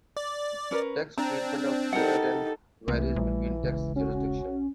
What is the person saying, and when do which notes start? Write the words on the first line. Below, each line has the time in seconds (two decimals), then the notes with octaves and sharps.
Tax treatment of dividends varies between tax jurisdictions.
0.17 D5
0.71 C#4 A#4 B4
1.18 C4 D4 A#5
1.93 D#4 G4 A4 A#4 F#5
2.88 C2 E3 A3 A#3 C4
3.16 A#1 G3 A3
3.62 D#1 C#3 G#3
3.96 C#4 F#4